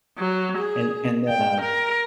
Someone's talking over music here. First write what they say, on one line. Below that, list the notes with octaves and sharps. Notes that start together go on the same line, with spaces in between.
and and then, uh,
F#3
G#4
G5
A#4